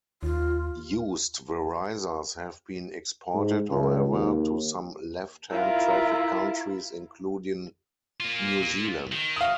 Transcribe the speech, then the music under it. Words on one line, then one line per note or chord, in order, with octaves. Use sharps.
Used Verisas have been exported however, to some left-hand-traffic countries including New Zealand.
D#2 F4
G#2
C#2
D#2
E4 F4 A#4
A#3 F4
D#3
F5 D#6